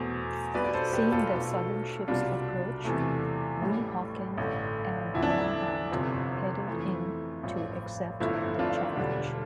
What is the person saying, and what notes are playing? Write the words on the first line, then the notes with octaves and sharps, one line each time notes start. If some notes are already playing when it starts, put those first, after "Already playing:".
Seeing the Southern ships approach, "Weehawken" and "Nahant" headed in to accept the challenge.
Already playing: E2 B2 A3 C5
B1 B2 G3 B4 D5
D5
A4 C5
G4 B4
F4 A4
B1 B2 A3
C2 B2 G3 D4 F4
E2 C3 E3 A3
A1 A2 G3
A1 G2 D3 A3
E2 D3 F3 A3 E4
D4
E4
G1 F2 C3 F3
F2 E3 A3
A1 G2 F3
G1 G2 F3 A3 E4
D4 F4
E1 D2 D3 G3